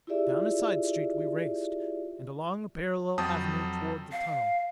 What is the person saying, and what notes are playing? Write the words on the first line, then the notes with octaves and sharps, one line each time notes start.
Down a side street we raced, and along a parallel avenue toward the tunnel.
E4 F4 G4 G#4 D5 E5
F2 F#3 G5 A5 D#6
F5